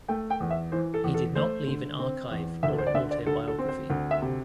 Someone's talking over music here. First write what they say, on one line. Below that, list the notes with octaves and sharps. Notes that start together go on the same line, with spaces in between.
He did not leave an archive or an autobiography.
A3 G5
G5
E2
E5
E3 C5
A4
E2
A4
A3 C5
D3
C4
E2
D2 E5
A4
C5
D5
D3 E5
D5
D2 A4
A4
C4
C5
D2
E5
C3